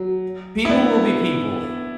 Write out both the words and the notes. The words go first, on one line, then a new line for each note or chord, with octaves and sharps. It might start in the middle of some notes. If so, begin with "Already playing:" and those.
"People will be people
Already playing: F#3
E4
B3 D4